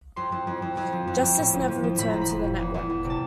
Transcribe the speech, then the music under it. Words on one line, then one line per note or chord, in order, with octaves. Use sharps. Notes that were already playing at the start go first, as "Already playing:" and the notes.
Justice never returned to the network.
F2 C6
F2
F2
F2
F2
F3
F2
F2
A2
F3
F3
F3
A2 B5
F3 A#5
B5
F3
A2
E2
E2
E2
C3
A5